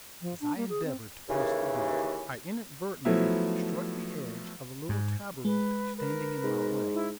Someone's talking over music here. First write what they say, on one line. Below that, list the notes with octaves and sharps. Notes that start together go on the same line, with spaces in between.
As I endeavored to pass the door, I inadvertently struck the edge of a little taboret standing in my way.
F3
D4
A#3
G#4
C4
D#2 C#3 E3
F3 F#3 A3 B3 E4
G#2
G#3 B4
A#4 B4
G#2
E4